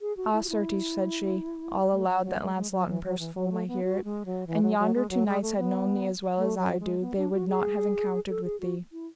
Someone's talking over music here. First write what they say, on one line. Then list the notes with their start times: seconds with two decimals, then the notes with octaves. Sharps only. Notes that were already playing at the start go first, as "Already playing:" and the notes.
Ah certes, said she, all aloud that Launcelot and Percivale might hear it: An yonder two knights had known thee as well as I do they would not have encountered with thee.
0.01 G#4
0.17 F#4
0.33 E4
0.45 F#4
0.49 E4
1.92 A3
2.08 F#3
2.24 F#3
2.40 G#3
2.56 G#3
2.71 F#3
2.88 E3
3.04 F#3
3.19 E3
3.35 F#3
3.52 A3
3.68 B3
3.84 F#4
4.04 G#3
4.26 F#3
4.47 E3
4.63 F#3
4.79 F#3
4.95 G#3
5.10 F#3
5.27 G#3
5.42 A3
5.58 B3
6.38 A3
6.59 F#3
6.80 G#3
7.01 B3
7.17 D4
7.33 F#4
7.48 G#4
8.29 A4
8.45 G#4
8.60 F#4
8.92 E4